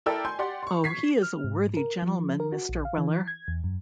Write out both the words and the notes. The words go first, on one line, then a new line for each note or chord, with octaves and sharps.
Oh, he is a worthy gentleman, Mr. Weller!
E4 A4 A#4 D5 G5 E6
G#5 C6 G6
G4 D5 F#5 C6
C6 C#6
C#6 G#6 B6 C7
F6
G#2
A#4
F3
A#4
F#4
A#1
F5
E3
G#6
E2
F#2